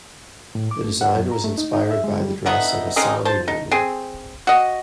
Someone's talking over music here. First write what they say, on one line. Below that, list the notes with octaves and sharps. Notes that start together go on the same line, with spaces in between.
The design was inspired by the dress of a Sami woman.
A2
D6
A3
F#5
F#2
A#5
A3
D#4
D#4
E5
G#3
G3
D3 B3 D#4 E4
G#3 C4 C#4 D#4
C5 A5
D#4
C4 G#4
F#4 D#5